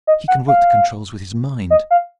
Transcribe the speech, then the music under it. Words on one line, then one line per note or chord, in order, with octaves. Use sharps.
He can work the controls with his mind.
D#5
F#5
F5
D#5
F5